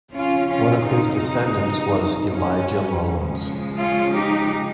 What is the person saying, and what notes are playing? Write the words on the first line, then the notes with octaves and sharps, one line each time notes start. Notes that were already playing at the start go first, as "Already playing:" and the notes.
One of his descendants was Elijah Loans.
C#3 F3 C4 C#4 F4
C#4 F4
D#4
C#4
C#3 F3 G#3 C#4
C#4 F4
D#4 G4